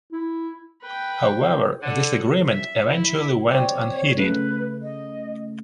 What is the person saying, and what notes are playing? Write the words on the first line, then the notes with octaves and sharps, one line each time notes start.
However, this agreement eventually went unheeded.
E4
B4 G5
D3 A4 F#5
E5
E4
C4 G4 C#5 D5
C#3 A3 B4
D#5